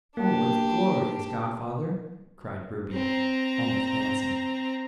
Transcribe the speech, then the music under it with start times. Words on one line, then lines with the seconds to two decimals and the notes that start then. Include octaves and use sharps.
"Oh, it's glorious, godfather," cried Ruby, almost dancing.
0.17 A#3 D4 G4
2.93 C4 A#5